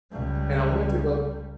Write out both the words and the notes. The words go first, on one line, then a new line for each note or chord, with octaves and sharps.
and I went to go
C#2 G3